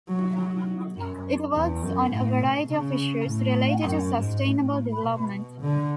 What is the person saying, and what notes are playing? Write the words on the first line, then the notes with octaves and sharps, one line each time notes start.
It works on a variety of issues related to sustainable development.
F#3
F#3
F#2
E2
F#2
A2
B2
C#3
A2
F#2
G#2
A2
B2
D3